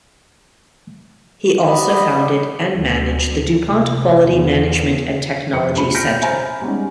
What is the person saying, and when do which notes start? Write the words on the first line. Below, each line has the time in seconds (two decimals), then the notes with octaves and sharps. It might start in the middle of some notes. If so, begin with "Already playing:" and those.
He also founded and managed the DuPont Quality Management and Technology Center.
1.63 B3 D5 D#5 B5
2.73 D2
3.62 C3
4.24 E2
5.53 F2 B4 C#7
5.75 D2 B2 D4 F4 B5 D#7
5.94 F6 G6 A#6 B6 C#7 D7
6.22 C5 E5 G#5 A#5 B5
6.61 G3 G#3 B3 C#4 D#4